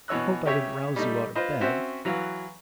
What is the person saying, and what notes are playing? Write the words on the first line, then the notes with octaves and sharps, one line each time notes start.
"Hope I didn't rouse you out of bed."
B2 E3 C#5 E6 F#6
C#3 G4 C#5 E5
G3 A3 D#4
F4 B4 C5 D#5
C4 C#4 F#4 C5 E5
E3 F#3 F5